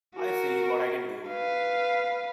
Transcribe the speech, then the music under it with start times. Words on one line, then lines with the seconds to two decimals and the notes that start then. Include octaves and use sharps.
I'll see what I can do.
0.16 F#4 A#4
1.28 B4 F5